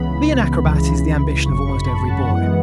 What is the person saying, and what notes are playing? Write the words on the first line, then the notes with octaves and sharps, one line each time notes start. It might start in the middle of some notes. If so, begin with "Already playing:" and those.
To be an acrobat is the ambition of almost every boy.
Already playing: C#2 C#3 E3 B3 B5
C#2 C#3 E3
G#1 F#2 C#3 C#6
B5
A5
F#5
F#2 E3 G#3 B3 F#5